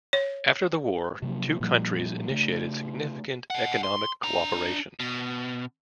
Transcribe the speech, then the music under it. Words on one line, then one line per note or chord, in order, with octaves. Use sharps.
After the war two countries initiated significant economic cooperation.
C#5
C3 F3 F#3 A#3
A#2 F3 G3 A#3
C#3 A3
D#5 F#5
C6
D4 A#5
B2